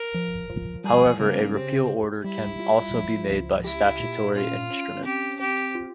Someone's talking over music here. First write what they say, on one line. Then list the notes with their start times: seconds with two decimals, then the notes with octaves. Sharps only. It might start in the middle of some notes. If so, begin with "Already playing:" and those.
However a repeal order can also be made by statutory instrument.
Already playing: A#4
0.14 F3
0.50 F3
0.84 G3 G#4
1.19 C#3 A#3
1.55 C4 G4
1.90 G4
2.24 G3 E4
2.60 F4
2.95 F3
3.30 C#2
3.64 E4 G4
4.00 A#2
4.35 C#4 F4
4.70 C#4
5.04 C4 G4
5.39 C4 G4
5.75 F4